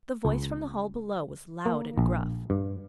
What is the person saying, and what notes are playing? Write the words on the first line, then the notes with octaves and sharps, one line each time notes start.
The voice from the hall below was loud and gruff.
C#2
A#3
A#1
G2